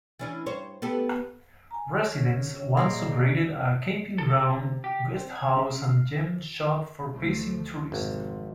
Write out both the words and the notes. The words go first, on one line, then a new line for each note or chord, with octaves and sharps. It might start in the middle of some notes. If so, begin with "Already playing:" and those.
Residents once operated a camping ground, guesthouse and gem shop for passing tourists.
E3 C#4 D4
G2 C5 C#5
B3 G4 A4
G#5 A#5
C#5 F6 A#6
C#4 C#5
A#2 C#3 A#3 D5 D#5 A#5 C6 C7
A4
C3
G4
C4
G#6
C#3
F5
D2 F3 A3
G#1 F2 C3